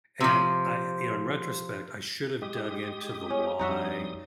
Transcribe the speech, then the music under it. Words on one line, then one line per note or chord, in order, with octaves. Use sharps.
and I, you know, in retrospect, I should have dug into the why,
C3 F3
G#3 G4 D#6
C#4
F2 G3 D#4 F#4 E5 D#6